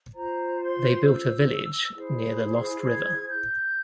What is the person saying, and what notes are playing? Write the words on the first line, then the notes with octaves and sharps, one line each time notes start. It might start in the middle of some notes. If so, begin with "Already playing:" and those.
They built a village near the Lost River.
F4 C5 A#5
C6
E6
E4 G#4 C5
G#6
G6